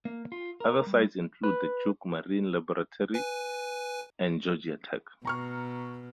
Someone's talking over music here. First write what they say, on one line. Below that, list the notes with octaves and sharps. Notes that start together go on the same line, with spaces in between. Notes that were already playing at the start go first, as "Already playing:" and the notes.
Other sites include the Duke Marine Laboratory and Georgia Tech.
A#3
F4
A#4
G3
B4
B4 G#5
B2 A#5 C#6 F6